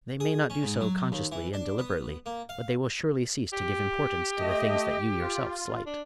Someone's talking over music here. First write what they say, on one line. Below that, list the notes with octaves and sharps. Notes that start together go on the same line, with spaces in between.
They may not do so consciously and deliberately, but they will surely cease to give importance to the things that you yourself slight.
G#4
C#4
G#2
F#3
D#2
E3
D4
B3
A#3
F5
G4
A3 D#5
F4
D4